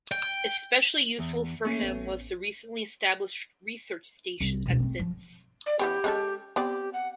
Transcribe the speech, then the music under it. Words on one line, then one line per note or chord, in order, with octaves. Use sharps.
Especially useful for him was the recently established research station at Finse.
G5
E2
A3 A#3 C#4 C#6
A1 B3
C2
C#2 B2
A3 C4
F3
D5
E3 B3 C#4 G4
G#3 C#4 A4
B3 C4 G4 D5
F#5